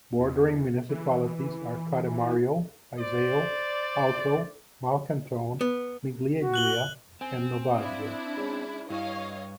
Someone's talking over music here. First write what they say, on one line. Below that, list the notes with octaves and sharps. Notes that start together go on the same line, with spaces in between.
Bordering municipalities are Cademario, Iseo, Alto Malcantone, Miglieglia and Novaggio.
E2
E3
C5 D5
B3
F#4
F#6 F#7 G7
C4 G#5
D4 E4 F5 D#6
G#3 C#4
G2 E4 C#5 D#5 F5